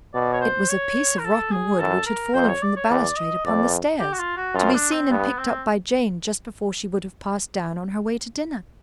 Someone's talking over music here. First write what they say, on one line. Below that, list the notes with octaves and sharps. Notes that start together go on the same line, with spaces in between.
It was a piece of rotten wood which had fallen from the balustrade upon the stairs, to be seen and picked up by Jane just before she would have passed down on her way to dinner.
B2 D5
C#5
C5
C#5
A#4
A4
G#4
F#2 A4
A#4
F2 C5
C#5
D5
C#5
E2 D5
D#5
F2 D5
G4
F#4
F4
F#4
F#2 F4
D4
C4
G2 B3
C4